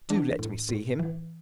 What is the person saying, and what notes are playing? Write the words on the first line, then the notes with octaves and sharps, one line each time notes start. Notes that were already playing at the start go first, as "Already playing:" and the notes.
Do let me see him.
E3 D4
A2
A2
E3